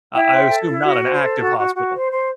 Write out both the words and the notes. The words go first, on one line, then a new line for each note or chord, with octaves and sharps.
I I assume not an active hospital.
E4 E5 G5
C5
A4
E4
F#4
C5
A4
F#4
F#4
F#4
C5
C5